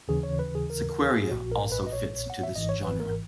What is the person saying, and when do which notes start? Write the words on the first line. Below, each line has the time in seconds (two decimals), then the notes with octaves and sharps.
Sequeira, also fits into this genre.
0.08 D#2 C#3 E3 G#4
0.23 C#5
0.39 B4
0.55 G#4
0.70 A#4
0.90 A#4
1.10 G#4
1.31 A#1 A#2 F#4
1.52 A#4
1.72 B4
1.87 D#5
1.92 C#5
2.30 F#5
2.43 E5
2.54 G#1 G#2 E3 D#5
2.69 C#5
2.84 B4
3.00 A#4